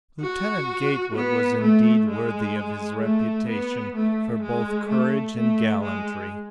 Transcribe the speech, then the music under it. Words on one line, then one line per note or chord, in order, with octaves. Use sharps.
Lieutenant Gatewood was indeed worthy of his reputation for both courage and gallantry.
F#4
B3
A3
G#3
A3
B3
A3
G#3
A3
A3
G#3